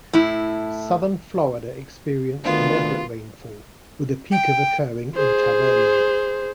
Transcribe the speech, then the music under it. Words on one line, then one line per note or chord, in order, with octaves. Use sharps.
Southern Florida experienced moderate rainfall, with a peak of occurring in Tavernier.
A2 E4
D2 D#3 B3 F4
G5
G#4 C5